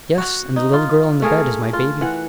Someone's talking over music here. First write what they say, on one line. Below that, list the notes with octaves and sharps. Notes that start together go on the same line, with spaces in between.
"Yes, and the little girl in the bed is my baby."
F#4
D#4
F4
A3 G#4 A#4 F5
F4
E3 F#5